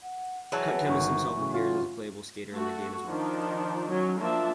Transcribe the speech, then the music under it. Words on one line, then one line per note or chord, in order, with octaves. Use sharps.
Cut Chemist himself appears as a playable skater in the game as well.
F#5
E3 F#3 G#4 A5 C#6
B4
G1 D#3 C#6
A2 C#3
F4
A3 F#4
D#3 F3 D4 D#4
F#3 C#4
F3 A#3 D4 E5 A5